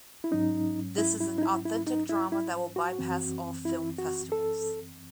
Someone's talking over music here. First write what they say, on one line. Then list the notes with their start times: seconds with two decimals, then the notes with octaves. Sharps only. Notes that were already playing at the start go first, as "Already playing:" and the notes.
This is an authentic drama that will bypass all film festivals.
0.24 E4
0.31 G#2 F#3 C#4 D#4
0.98 E4
1.21 E4
1.38 D#4
1.42 E4
1.65 E4
1.87 D#4
2.09 E4
2.32 E4
2.76 F#4
2.99 F#2 E3 C4
3.65 E4
3.98 F#4
4.32 A4